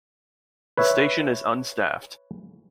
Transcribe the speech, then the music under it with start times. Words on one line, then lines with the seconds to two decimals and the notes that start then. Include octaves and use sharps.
The station is unstaffed.
0.77 B4 C#5 E5